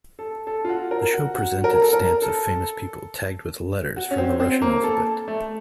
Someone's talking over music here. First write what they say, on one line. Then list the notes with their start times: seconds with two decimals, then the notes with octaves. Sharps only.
The show presented stamps of famous people tagged with letters from the Russian alphabet.
0.19 A4
0.47 A4
0.65 F4
0.69 F#4
0.91 A#4
1.13 F#4
1.34 F#4
1.64 A#4
1.82 A4
1.93 A#4
2.22 A4
3.96 F#4
4.11 C#4
4.18 C4
4.40 C4
4.62 A#3
4.84 A4
5.28 A3